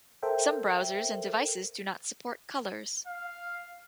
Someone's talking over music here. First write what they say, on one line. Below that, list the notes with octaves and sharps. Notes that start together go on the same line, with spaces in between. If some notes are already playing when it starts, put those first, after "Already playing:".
Some browsers and devices do not support colors.
A4 A#4 C5 E5 G5
F5